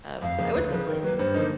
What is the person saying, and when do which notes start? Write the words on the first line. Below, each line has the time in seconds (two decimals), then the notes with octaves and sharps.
Um, I wouldn't, like,
0.22 F2 F5
0.38 C#3 F3 A#3
0.54 D2 B4
0.70 C#3 F3
0.87 D#3 A#4
1.03 F#3 A#3 B4
1.18 G2 C5
1.34 D3 F3 A#3 D#4